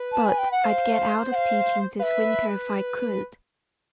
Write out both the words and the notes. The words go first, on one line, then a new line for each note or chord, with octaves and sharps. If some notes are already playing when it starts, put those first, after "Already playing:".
But I'd get out of teaching this winter if I could.
Already playing: B4
A5
G#5
G5
F#5
C5 F5
F#5
F5
B4 E5 F5